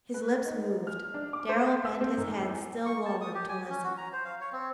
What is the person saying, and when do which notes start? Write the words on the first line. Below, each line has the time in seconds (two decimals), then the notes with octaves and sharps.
His lips moved; Darrell bent his head still lower to listen.
0.14 B4
0.46 D#4
0.87 F6
1.14 D4
1.33 D6
1.49 C5
1.85 E6
2.01 C4
2.17 G#1
2.42 E2
2.86 C#6
3.06 A5
3.21 D#6
3.34 G4
3.49 G#5
3.69 C#4
3.84 F#4
3.98 A#5
4.13 C5
4.25 F5
4.41 C#5
4.52 C4